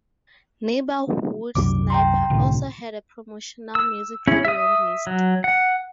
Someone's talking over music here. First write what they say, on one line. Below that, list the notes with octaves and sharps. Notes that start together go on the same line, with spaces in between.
"Neighborhood Sniper" also had a promotional music video released.
C2 F#2 D6
G5 A#5 C6
C2 A2 D3
E6
C#4 E4 G#4
E5 D#6
F#3
F#5